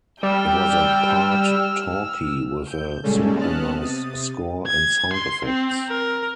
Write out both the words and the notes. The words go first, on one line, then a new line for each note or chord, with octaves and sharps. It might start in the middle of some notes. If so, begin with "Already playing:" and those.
It was a part-talkie with a synchronized score and sound effects.
G3 G5 E6 F6
G6
A#2 C#3 G3 G#3 C#4 A4
B3 D#5 A5 F6 F#6 A6
C3 D#6 A6
G#6
C6
C4
A#4